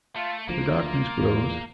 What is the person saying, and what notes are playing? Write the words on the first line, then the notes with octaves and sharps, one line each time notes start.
The darkness grows.
A3 F4
D2 F3 A#3 F4
E2 A#2